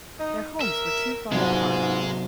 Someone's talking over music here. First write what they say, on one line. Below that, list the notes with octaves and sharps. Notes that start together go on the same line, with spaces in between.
Their homes were too far apart.
D#4
A#4 E5
G#2 C3 F#3 G#3 B3 F4